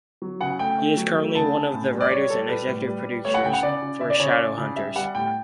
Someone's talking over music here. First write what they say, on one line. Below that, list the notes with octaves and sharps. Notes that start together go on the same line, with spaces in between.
He is currently one of the writers and executive producers for Shadowhunters.
F#3
C#3 F#5
A3 G5
A3
F#3
A3
C#3 A5
C#3
A2
G3
D5
G3 C#5
G3 A4
G3 B4
A2
G3
G3
A3 C#5
F#5
C#3 G5
F#5
C#3 D5
C#3
C#3 E5
D5
C#3 C#5
D5
C#3
C#3
G3 E5
G3 F#5
A2 G5